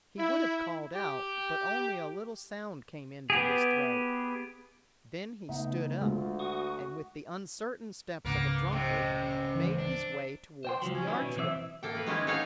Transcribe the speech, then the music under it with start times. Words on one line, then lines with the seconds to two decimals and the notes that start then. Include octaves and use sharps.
He would have called out, but only a little sound came into his throat. Then he stood up, and, with the uncertain steps of a drunkard, made his way towards the archway.
0.18 E4
0.95 G4
3.30 B3 G4 G#4
5.49 C#3 A3 B3 D#4
6.02 D2 G#3 F4
6.39 F#4 C#6 D#6
8.25 C#2 G#2 C#3 A#3 B3
8.72 C3 C#4 D#5 G5
9.55 D3 E3
9.78 D4
10.65 C5 G5 C6
10.82 C#2 F3 F#3
10.95 C#4
11.07 D#3 F#3 G3 B3 C#4 E4
11.22 B2
11.36 B1 E3 C4 D5 E5
11.83 A#3 A4 G5
11.95 A#3 B4
12.06 D#3 G3 G#3 C#4 E4
12.27 G3 D#4 A4 C#5 F5 F#5